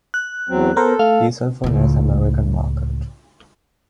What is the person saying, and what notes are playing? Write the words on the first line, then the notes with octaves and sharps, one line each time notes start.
Diesel for North American Market.
F#6
E2 F#3 C4
B3 A4 A#4 C5
A3 F5
C#2 A2